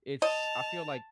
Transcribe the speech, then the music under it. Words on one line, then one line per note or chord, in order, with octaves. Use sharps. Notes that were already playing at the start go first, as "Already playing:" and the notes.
it's I feel like
D#5 A5 F7